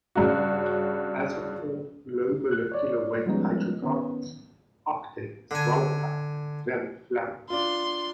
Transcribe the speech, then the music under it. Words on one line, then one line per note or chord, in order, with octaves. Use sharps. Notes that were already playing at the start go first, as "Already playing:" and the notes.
As with all low-molecular-weight hydrocarbons, octane is volatile and very flammable.
G2 C#3 F#4
F#6
C#5 D5
F3 G3 G#3 B3 C#4 D#4
D#3 B3 C#4
D3 G#5
D4 F4 C6